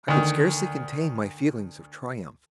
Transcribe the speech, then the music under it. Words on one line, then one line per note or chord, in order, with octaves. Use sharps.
I could scarcely contain my feelings of triumph.
D2 D#3